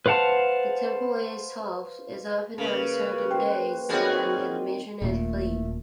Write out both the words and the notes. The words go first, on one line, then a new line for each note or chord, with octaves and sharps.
The temple itself is open on certain days, and admission is free.
B4 C5 F5 F#5 A5
C#3 A#3 B4
C5 G5
D#3 F#3 G3 C4 F#4 G#4
D#1 A#2 A3